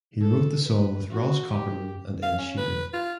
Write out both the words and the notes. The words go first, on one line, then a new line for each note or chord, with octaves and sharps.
He wrote the song with Ross Copperman and Ed Sheeran.
A4
B4
F#4
G4
F5
C#4
B4
F4